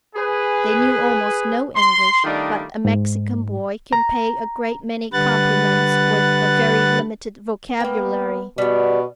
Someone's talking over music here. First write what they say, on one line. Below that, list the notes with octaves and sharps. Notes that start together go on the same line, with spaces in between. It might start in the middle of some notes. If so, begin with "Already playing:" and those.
They knew almost no English, but a Mexican boy can pay a great many compliments with a very limited vocabulary.
G#4 B4 G#5
C6
D#3 G3 A3 D4 D#4 F4
G#2
A#5
D3 G3 B4 F#5 F#6 A6
A#3 B3 G5
B2 G3 B3